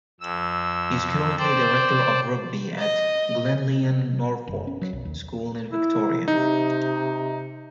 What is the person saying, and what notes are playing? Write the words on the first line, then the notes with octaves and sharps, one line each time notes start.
He is currently Director of Rugby at Glenlyon Norfolk School in Victoria.
F2 E6
C5 D5 G5 A5
D#5
F#1
C#4
F#3
B1
D#2
E4
C3 D#4